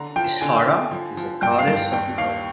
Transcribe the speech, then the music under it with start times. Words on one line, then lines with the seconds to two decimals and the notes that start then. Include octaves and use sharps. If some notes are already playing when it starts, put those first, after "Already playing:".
Ishara is a Goddess of the oath.
Already playing: D3 A#5
0.16 F3 G5
0.41 D3 G#5
0.67 D3
0.91 F3
1.17 F3
1.42 G2 G5
1.59 F5
1.68 G2
1.76 F5
1.92 D#2 G5
2.18 D#2 F5